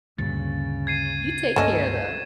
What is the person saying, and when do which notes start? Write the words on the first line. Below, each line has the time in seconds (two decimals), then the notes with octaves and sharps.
you take care though.
0.18 D2 G2 A#2 C#3 A6
0.87 G#6 C7 D#7
1.56 C#2 G2 A3 A#3 C#4 D#5 E7